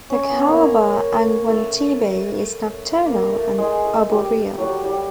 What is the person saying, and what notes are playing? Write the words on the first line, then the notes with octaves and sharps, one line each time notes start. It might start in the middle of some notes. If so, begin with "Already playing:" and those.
The Calabar angwantibo is nocturnal and arboreal.
C#4
B3
A#3
A3
A#3
A3
G#3
A3
G3
F#3
G3
G3